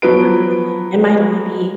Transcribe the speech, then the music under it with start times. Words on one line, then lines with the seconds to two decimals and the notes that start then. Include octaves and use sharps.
Absolutely. It might only be
0.02 F3 F#3 B3 B4 D7